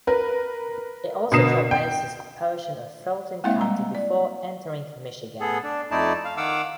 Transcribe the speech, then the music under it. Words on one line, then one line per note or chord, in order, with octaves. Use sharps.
It also traverses a portion of Fulton County before entering Michigan.
A#4 B4
B2 D3 A#4 D#6 C7 E7
G5
G#3 A#3 C4 E4 E5 F5
G3 A#5
D5
B3 G#4 A4
D4
F2 A3 D#4 E4 D5 A5
F5
D#3 F5 F#5 D6 E6